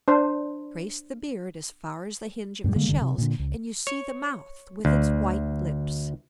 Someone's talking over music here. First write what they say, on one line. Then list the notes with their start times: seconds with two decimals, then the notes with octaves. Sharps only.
Trace the "beard" as far as the hinge of the shells, and you see the mouth with its white lips.
0.08 D4 C5
2.64 F#2 A2 C#3 G3
2.76 D3 G3 G#3 A#3
2.89 D1 G#1 G2 D3
3.01 C3
3.18 A#2 D3
3.39 C#2
3.87 C#5
4.85 D2